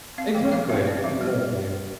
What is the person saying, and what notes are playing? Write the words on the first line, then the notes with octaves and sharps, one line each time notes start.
Exactly. Exactly.
C4 F5
F3 G5
F3 F5
C4 E5
C4 D5
F3 E5
G3